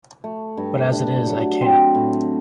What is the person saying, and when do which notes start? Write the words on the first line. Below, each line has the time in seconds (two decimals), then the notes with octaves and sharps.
But as it is I can’t.
0.24 A3
0.57 G2
0.92 D4
1.27 F#3
1.61 C4
1.95 A2